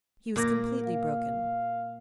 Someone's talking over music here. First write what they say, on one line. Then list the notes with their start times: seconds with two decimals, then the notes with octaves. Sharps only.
He was completely broken.
0.36 A#2 A#3 D6 A#6
0.84 F5